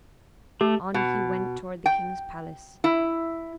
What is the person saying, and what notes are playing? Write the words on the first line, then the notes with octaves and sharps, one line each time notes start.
On he went toward the king's palace.
A3 G4
B2
G5
E4